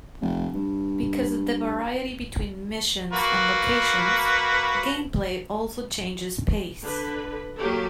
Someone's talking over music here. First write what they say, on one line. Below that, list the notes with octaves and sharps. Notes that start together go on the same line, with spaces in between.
Because of the variety between missions and locations, gameplay also changes pace.
F1
G2
A#3 F#4 B4
D3 B4
F#3 A#3 G4 A4